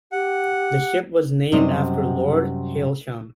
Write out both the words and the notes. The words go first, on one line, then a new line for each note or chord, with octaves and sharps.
The ship was named after Lord Hailsham.
G4 F#5
F#2 C3 G3 C4 D#5